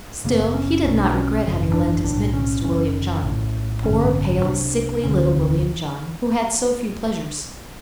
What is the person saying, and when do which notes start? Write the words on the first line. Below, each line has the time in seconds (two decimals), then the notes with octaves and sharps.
Still, he did not regret having lent his mittens to William John--poor, pale, sickly little William John, who had so few pleasures.
0.24 F#1 F#2 C#3 A#3
0.39 B3
0.54 C#4
0.84 B1 B2 C#4
0.99 D4
1.13 C#4
1.44 G#1 F#2 C#3
1.73 D4
2.04 B1 A2 D4
2.33 C#4
2.63 F#1 F#2 C#3 C#4
3.23 A#1 A2
3.84 A1 G2 D3 C#4
4.43 C2 C3 D4
5.03 E1 D2 D3 C#4